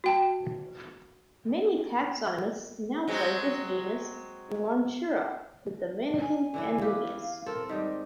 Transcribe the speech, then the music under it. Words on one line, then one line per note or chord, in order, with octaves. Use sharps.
Many taxonomists now place this genus in "Lonchura" with the mannikins and munias.
F#4 G5 A5
F#3 G#3 C4
G#5
D3 E3 E4
E4 G4 B4 F5
C4 A4 A#4
G#2 D#3 G3 D#5